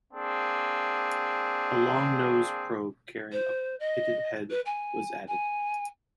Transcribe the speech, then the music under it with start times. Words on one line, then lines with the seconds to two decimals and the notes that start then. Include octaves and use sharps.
A long nose probe carrying a pitot head was added.
0.13 A#3 C4 D4 G#4
3.32 C5
3.80 D#5
4.50 B4
4.66 G#5
5.28 G#5